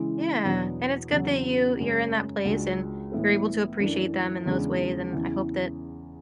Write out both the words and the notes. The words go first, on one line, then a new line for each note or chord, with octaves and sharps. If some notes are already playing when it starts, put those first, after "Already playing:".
Yeah. And it's good that you you're in that place and you're able to appreciate them in those ways, and I hope that,
Already playing: C#3 E3 G#3
E2 B2 F#3 B3 D4
E2 C#3 F#3
F#2 C#3 G#3 C#4
C#2 C#3 G#3 D4 F#4
A2 E3 B3 E4 A4
F#2 E3 A3 D4
E2 C#3 G#3 D4 G#4
E2 C#3 E3